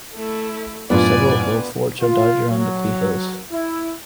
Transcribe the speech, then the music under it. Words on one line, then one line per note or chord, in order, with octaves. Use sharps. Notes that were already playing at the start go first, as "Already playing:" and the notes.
Several hill forts are dotted around the Clee Hills.
A3 E4
F#2 A2 B3 D4 F4 D5 G#5
F4
F#3
E4